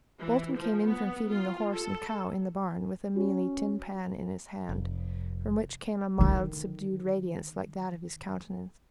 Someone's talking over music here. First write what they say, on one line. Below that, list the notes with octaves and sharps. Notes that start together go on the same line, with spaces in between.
Bolton came in from feeding the horse and cow in the barn, with a mealy tin pan in his hand, from which came a mild, subdued radiance like that of his countenance.
E3
F3
B3
F4
A4
C#4 F#4
F1
D3 D#3